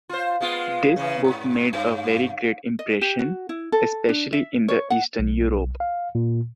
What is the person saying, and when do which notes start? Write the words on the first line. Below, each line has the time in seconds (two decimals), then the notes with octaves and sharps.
This book made a very great impression, especially in the Eastern Europe.
0.09 F4 C5
0.41 G#3 B3 F4
0.96 C#3 E3
1.24 G#2
1.73 G2
2.79 D#5
3.02 G4
3.19 F#4
3.49 E4
3.72 A4
4.09 D4
4.33 E5
4.68 C#5
4.90 F#5
5.19 B1
5.80 F5
6.15 A#2